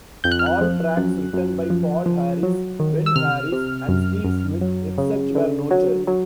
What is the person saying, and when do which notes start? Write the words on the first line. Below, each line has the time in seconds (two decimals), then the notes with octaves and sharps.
All tracks written by Paul Harris, Ben Harris, and Steve Smith, except where noted.
0.24 F2 G6
0.31 F#6
0.39 F6
0.46 F#6
0.61 F3
0.97 F#2
1.33 F#2
1.70 F3
2.06 F3
2.43 F#3
2.80 D#3
3.06 E6
3.16 C3 F6
3.52 C3
3.89 F#2
4.24 F#2
4.61 F#3
4.98 C#3
5.35 D3
5.71 F#3
6.07 F#3